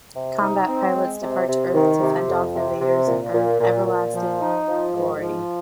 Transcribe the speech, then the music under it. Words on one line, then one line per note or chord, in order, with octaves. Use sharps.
Combat pilots depart the Earth to fend off the invaders and earn everlasting glory.
C3
D#4
C4
G#3
C3
C3
D#3
C3
F2
C3
C3
A#2
A#2
A#2
A#2
F3
D#4
F3
G#2
F3